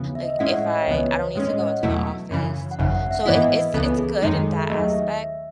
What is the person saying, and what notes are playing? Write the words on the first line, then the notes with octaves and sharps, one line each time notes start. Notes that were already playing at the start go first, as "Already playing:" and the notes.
Like, if I I don't need to go into the office. So, it it's it's good in that aspect,
Already playing: D#2 C#3 E3 B3
E5
D#5
E5
A2 G#3 C#4 E4 F#5
E5
D#5
C#5
B4
C#2 C#3 E3 B3 C#5
A2 G#3 C#4 C#5
D#5
F#5
E2 B2 F#3 A3 E4
F#2 C#3 E3
F#5
G#1 F#2 C#3 E5
F#5
F#5
E5
G#2 E3 B3 E4 D#5
B4
C#2 C#3 E3 B3 A4
G#4
F#2 D#3 G#3 D#4 A4
G#4
E5
D#2 D#3 F#3 A3 D#5
E5